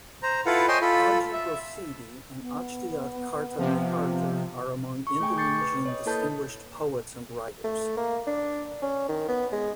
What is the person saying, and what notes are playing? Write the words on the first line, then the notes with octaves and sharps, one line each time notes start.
Ajip Rosidi and Achdiat Karta Mihardja are among Indonesian distinguished poets and writers.
C5 A#5
E4 F4 A4 B4 F5 F#5
C5 C#5 D#5 G5 G#5 C6
F4 A4 B5
E5
B3
C3 F3
C#6
A3 G#4 G5 G#5
C#6 D6 G6 A6 C7 C#7
B4
C#5 D#5
A#3 E4 A4 B4 A5 G6
A3
A#3
D4
C#4
D#3
B3
G#3